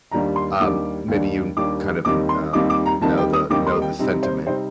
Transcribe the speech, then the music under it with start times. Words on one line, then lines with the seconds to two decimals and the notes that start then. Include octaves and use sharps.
um, maybe you kn kind of n um, know the know the sentiment,
0.12 D#2 D#3 G3 D4 A#5
0.36 C6
0.60 D#2 D#3 G3 D4 D6
1.08 D#2 D#3 G3 D4
1.57 D#2 D#3 G3 D4 D6
2.05 D#2 D#3 G3 C4 D#4 D6
2.29 C6
2.53 D#2 D#3 G3 C4 D#4 D6
2.70 D6
2.86 A#5
3.01 D#2 D#3 G3 C4 D#4 A5
3.17 G5
3.33 D#6
3.50 D#2 D#3 G3 C4 D#4 D6
3.67 C6
3.82 G5
3.99 C3 G3 C4 D#4
4.23 C5
4.46 C3 G3 C4 D#4 C5